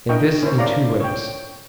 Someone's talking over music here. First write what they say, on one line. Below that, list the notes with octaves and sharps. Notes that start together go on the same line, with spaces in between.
And this in two ways.
D4 E4 A#4 D#5 G5 C#6
C#4 E4 A#4 C5 C#5
C#4 E4 D5 F5 A#5
C#5 G5